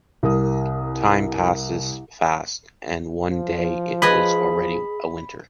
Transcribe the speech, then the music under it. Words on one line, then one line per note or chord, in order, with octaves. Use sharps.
Time passes fast, and one day it was already a winter.
C2 A#4 D#6
F3
G#4 B4 D#5 G#5 B5